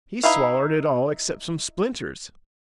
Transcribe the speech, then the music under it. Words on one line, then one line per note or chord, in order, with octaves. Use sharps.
He's swallered it all except some splinters.
D#4 E4 B4 E5 F5